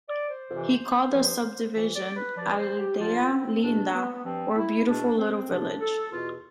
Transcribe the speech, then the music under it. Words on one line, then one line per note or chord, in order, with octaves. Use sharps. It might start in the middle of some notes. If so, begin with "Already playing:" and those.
He called the subdivision Aldea Linda or Beautiful Little Village.
D5
C5
F2 C3 E3
G2 F3
F2 E3
D5
B4
G2 F3 D5
C5
G4
F2 D3 F3 F4
C4
E2 B2 D4
B3
B3
G2 F3 C4
E4
E2 B2 D4
C4
E2 C3 F3 D4
A4
E2 B2 F4